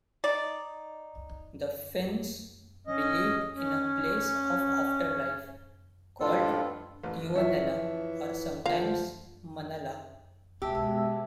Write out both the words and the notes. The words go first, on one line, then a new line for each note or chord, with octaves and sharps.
The Finns believed in a place of afterlife called Tuonela, or sometimes Manala.
D#4 D5
C#4 D#5
C#4
F2 A2 B3 D4 F4 A4
A1
E3 F3 C#5 E5
D3 F3 F5 A#5
B2 G#3 G4 E5 A5 E6